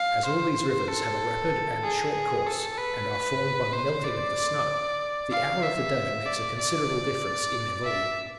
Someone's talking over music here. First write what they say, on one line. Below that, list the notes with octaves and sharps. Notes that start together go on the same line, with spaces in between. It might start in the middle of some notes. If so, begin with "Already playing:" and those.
As all these rivers have a rapid and short course, and are formed by the melting of the snow, the hour of the day makes a considerable difference in their volume.
Already playing: F5
C5
A4
G#4
A4
B4
C5
D5
F5
E5
D5
D5
E5